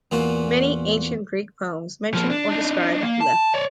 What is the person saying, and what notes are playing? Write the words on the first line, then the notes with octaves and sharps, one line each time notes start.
Many ancient Greek poems mention or describe Lethe.
E2 A#2 F4 F#4
F3 A#3
D4
D4 D#4
A#3
A5
C#5 D5